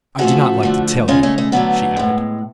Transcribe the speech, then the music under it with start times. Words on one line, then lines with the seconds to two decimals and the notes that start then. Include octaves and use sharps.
"I do not like to tell you," she added.
0.19 C#3 F3 A3 F#4 A4
0.63 D3 F3 A3
1.08 C#3 G#3 C#4 F4
1.23 A3 C#4
1.38 A3
1.52 D3 F#3 A3 B3
1.97 A2 G#3